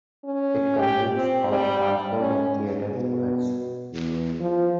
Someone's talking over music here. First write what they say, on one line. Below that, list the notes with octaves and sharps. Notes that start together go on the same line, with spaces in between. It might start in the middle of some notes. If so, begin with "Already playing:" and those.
It consists of Transport and Theater squares.
C#4
G4
C4
G3
C#4
B2
E2
F3